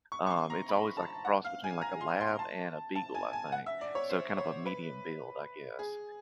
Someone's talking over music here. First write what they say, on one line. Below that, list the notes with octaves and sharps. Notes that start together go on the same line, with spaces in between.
Um, it's always like a cross between, like, a lab and a beagle, I think. So kind of a medium build, I guess.
C#6
C#6
C6
A#5
B5
A5
F#5
F5
G#5
A#5
C6
C6
A5
A5
G#5
G#5
F#5
E5
D5
C#5
C5
C#5
B4
G#4